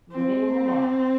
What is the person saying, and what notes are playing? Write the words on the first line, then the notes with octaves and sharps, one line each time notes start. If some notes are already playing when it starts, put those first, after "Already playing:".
Living in the now.
C4